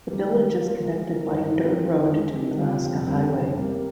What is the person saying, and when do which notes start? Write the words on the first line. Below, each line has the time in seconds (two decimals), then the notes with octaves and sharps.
The village is connected by a dirt road to the Alaska Highway.
0.09 D#3 G3
0.34 G3
0.59 A#3 F4 A#4
0.84 G#3
1.08 D#4 A#4
1.33 G2
1.58 F3 C4 G4 A#4
1.83 F2
2.07 D3 G#3
2.32 C3
2.57 G3 C4 F4
2.82 F2
3.07 D#3 G3 C4
3.31 F2
3.56 C3 G3 A#3